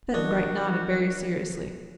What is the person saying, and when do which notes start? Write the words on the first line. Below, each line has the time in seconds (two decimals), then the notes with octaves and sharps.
Button-Bright nodded, very seriously.
0.14 E3 D4 F#4 A#4 D#5